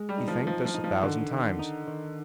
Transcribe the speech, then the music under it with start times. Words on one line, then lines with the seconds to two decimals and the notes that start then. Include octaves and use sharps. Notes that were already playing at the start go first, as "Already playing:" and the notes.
He thanked us a thousand times.
Already playing: G#3
0.09 G3
0.18 D#4
0.28 F3
0.47 F3 D#4
0.65 F3
0.74 D#4
0.84 F3
1.03 D3 D#3
1.31 D#3
1.59 D#4
1.87 D#3